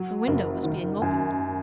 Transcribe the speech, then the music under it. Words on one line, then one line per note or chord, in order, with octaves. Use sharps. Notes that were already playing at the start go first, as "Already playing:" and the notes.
The window was being opened.
Already playing: F#3
F#1
D#3
F#2